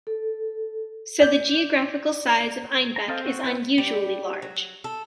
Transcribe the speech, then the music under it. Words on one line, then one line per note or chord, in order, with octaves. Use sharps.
So the geographical size of Einbeck is unusually large.
A4
D5 G6
A#5
C4 A4 D#5 F5
F#4
E4 B4 D#5
G3
F#3
A4